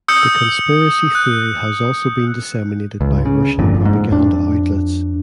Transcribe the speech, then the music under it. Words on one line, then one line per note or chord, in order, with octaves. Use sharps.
The conspiracy theory has also been disseminated by Russian propaganda outlets.
D#6 E6 G6 C#7
F#6
C#2
C#3
G1 F2 A#2 D3
G#2
F2 D4